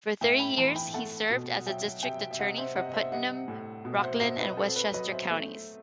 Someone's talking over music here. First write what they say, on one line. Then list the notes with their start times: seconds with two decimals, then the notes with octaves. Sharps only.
For thirty years he served as district attorney for Putnam, Rockland, and Westchester Counties.
0.21 A2 E5 G5
0.39 G5 B5
0.57 E3 A5 C6
0.75 G5 B5
0.94 A3 F#5 A5
1.30 B2
1.67 F#3 E5 G5
2.03 C3 E5 G5
2.31 E5
2.39 C3 D#5 F#5
2.58 C5 E5
2.75 C3 D#5 F#5
2.89 D#5
2.94 C5 E5
3.12 G3 D#5 F#5
3.48 A2
3.85 B2
3.97 F#5
4.02 C5 E5
4.21 B2 C5 E5
4.39 B4 D#5
4.57 C4 A4
4.76 B4
4.93 F#3 B4 D#5
5.12 C5 E5
5.30 A3